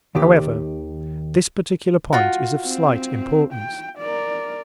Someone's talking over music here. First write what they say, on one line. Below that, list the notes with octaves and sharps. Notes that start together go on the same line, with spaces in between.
However, this particular point is of slight Importance.
D#2 D#3 G4
F4 F#4
C4
G5
A#4 D5